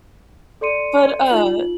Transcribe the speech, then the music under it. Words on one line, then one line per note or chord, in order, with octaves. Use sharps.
But, uh,
A4 D5 C6 C#7 D#7
D#4 F4 F#7